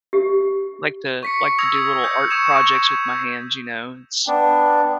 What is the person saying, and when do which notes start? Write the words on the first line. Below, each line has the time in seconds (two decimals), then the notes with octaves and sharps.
Like to like to do little art projects with my hands, you know? It's
0.13 G4
1.23 C#6 B6 C#7
1.58 D#6 E6 G#6 A#6 F7
2.04 G6 C#7
2.31 C#6 D#6 G#6 C#7 E7
2.84 G#6
4.28 B3 D4 G5